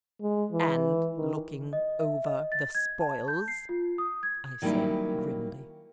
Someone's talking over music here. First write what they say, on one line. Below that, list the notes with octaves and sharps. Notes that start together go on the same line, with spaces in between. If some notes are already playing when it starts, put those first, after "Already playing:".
"And looking over the spoils!" I said grimly.
G#3
E3
D#3
D#5
E5
D#5
A6
G#6
A5
G6
C7
F4
D#6
G#6
D#3 F#3 G3 A#3 C#4 E4